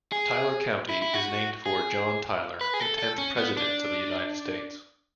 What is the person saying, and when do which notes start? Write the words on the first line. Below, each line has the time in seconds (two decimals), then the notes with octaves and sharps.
Tyler County is named for John Tyler, the tenth President of the United States.
0.12 G#4
0.89 E4
1.02 E4
1.14 F#4
1.66 G#4
2.61 B4
2.74 G#4
2.80 A4
2.98 A4
3.18 C#4
3.37 B3
3.57 D4